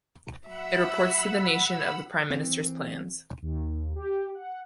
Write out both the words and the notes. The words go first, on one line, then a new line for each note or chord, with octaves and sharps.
It reports to the nation of the Prime Ministers plans.
F#3 E5 F#5 B5 E6
E3 C4
D#2
G4
F#5